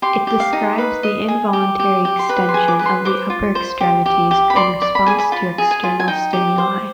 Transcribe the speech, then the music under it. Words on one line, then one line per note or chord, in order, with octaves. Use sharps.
It describes the involuntary extension of the upper extremities in response to external stimuli.
G4 C6
G4
F5
D#4
B4 F5
D#5
G#4
G4
G4
G4
C6
B4 B5
C6
G#4
D6
B4
C6
C5 D6
F4
C5
G4
G4
G4
B5
D5 C6
D5
B5
G#4 G#5
B5
F4 B5
G#4
G#5
F4
G#5
D#4 G5
G4
C5